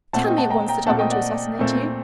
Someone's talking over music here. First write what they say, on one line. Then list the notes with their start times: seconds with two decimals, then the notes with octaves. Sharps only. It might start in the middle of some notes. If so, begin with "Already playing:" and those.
"Tell me at once that I want to assassinate you?"
0.13 A#2 A3 C4 F#5 A5
0.26 D#5 G5
0.38 F#5 A5
0.50 G5 A#5
0.68 G5 A#5
0.87 A#2 A3 C4 F#5 A5
0.99 D#5 G5
1.10 D5 F#5
1.59 A#2 A3 C4